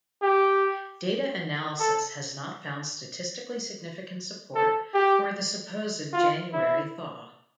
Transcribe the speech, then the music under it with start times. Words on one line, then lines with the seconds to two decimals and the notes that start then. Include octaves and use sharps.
Data analysis has not found statistically significant support for the supposed January thaw.
0.22 G4
1.79 A4
4.55 A4
4.94 G4
6.13 F4
6.53 E4